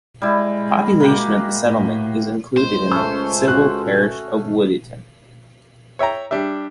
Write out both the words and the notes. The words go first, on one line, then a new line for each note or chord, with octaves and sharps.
The population of the settlement is included in the civil parish of Woodditton.
G3 G#3 E4
A#3 F#4 G4
A2
C#2 C5
A3 C#4 E6
F#4 F#6
C#5 E5 G5 A#5
G3 D4 G4 E5